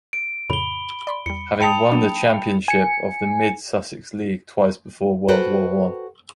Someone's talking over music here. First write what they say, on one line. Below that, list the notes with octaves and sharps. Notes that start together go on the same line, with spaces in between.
Having won the championship of the Mid Sussex League twice before World War One.
D7
F2 A2 C#3 B5 G7
D5 B5 C6
E2 G3 C#7
G5 A5 B5 D#6 C#7 F7
F#3 A#3 D4
G#5 C#7
F#4 A4 B4 C5 G5